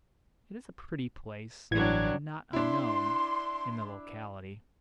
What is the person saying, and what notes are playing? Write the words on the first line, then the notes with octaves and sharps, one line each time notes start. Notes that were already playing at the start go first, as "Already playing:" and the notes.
It is a pretty place, and not unknown--in the locality.
A1 G2 E3 F#3 D4 G#6
D4 E4 C6